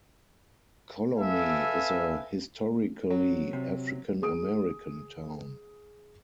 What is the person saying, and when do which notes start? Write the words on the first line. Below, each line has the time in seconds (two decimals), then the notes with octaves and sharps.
Colony is a historically African-American town.
1.17 A4 B4 E5 F5 G#5
3.10 F#3
3.53 C3
4.22 G#4 D#6 D7